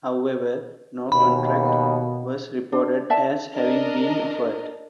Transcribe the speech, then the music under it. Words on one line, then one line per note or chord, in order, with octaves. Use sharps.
However, no contract was reported as having been offered.
D#2 B2 B5
D4
D5 E5 A5
D4 A#4 D#5